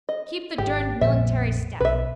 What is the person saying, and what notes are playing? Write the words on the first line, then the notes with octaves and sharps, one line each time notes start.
Keep the durned millingtary step.
D#5
G#1 G4
A#1 F2 A#2 E5
B1 B4 E5